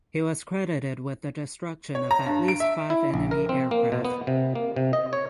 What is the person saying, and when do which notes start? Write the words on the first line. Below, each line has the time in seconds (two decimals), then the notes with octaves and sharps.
He was credited with the destruction of at least five enemy aircraft.
1.95 C#5
2.11 A#5
2.26 G2
2.48 D7
2.60 E5
2.90 E4
3.14 A#1
3.31 A#4
3.49 C4
3.71 A#3
3.92 B2
4.05 B3
4.27 C3
4.55 A#3
4.76 C3
4.93 D#5
5.13 C#5